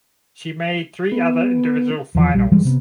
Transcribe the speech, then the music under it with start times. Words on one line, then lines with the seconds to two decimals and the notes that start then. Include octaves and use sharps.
She made three other individual finals.
1.12 B3
2.15 E2 E3 F3
2.34 A#1 G3
2.51 G2 E3 G3 G#3
2.65 C3 B3